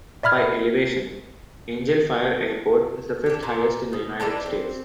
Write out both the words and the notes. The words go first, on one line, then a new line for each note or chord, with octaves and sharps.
By elevation, Angel Fire Airport is the fifth highest in the United States.
D5 E5 B5 F6 G#6
D4 G4
A#2
B2
E3 G3 G#3 D4
C4